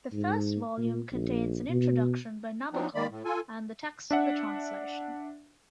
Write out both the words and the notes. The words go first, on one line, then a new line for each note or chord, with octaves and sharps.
The first volume contains an introduction by Nabokov and the text of the translation.
G#2
A#2
A#1
B2
F3 F#3 B3 C4 D4 D#4
D#3 A#3 D5 B5
A2
F4 A4 G#5
D4 E5 F#5